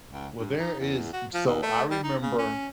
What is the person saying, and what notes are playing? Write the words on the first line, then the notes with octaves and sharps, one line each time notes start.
Well, there is so I remember
C#2
G2
D#4
E2
F#4
F3
D#2
A3
G3
D#4
C#3
C#4